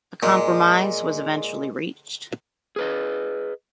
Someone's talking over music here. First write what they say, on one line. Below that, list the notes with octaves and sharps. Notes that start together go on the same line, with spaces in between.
A compromise was eventually reached.
A#2 G#3
G#4 B4 D#5